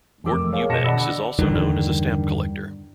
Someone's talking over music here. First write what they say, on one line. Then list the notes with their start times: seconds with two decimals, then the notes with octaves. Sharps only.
Gordon Eubanks is also known as a stamp collector.
0.24 F1 A#4 D6 E6
0.52 G#4 A#4 C#5 F5
0.69 B2 D#5 A5 A#6 C#7 E7
0.84 D3 D5 F#5 B5 E6
1.39 E2 G2 D3 D#3